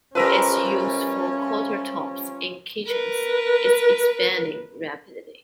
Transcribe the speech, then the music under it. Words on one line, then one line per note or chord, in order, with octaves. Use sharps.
Its use for countertops in kitchens is expanding rapidly.
F3 G3 C#4 A#4 B4 E5
A#4 B4